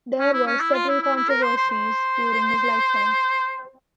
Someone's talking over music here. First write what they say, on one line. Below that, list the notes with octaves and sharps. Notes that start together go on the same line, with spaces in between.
There were several controversies during his lifetime.
C#4
E4
C#4
E4
F4
E4
E4
E4
A#4
C5
C5
C5